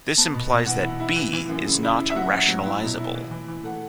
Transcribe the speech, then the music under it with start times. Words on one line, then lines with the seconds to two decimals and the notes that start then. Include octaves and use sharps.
This implies that "b" is not rationalizable.
0.18 B3 A5
0.34 B2
0.50 B2
0.66 E3 F#5
0.84 E4
1.00 E4
1.16 E3
1.33 E3
1.49 F#2
1.67 C#3
1.83 E4
2.00 C#3
2.10 E5
2.16 F#3 F#5
2.32 C#4
2.48 F#3
2.66 E4
2.83 B2
2.99 E4
3.15 E3
3.31 E3
3.48 E3
3.64 A3 F#5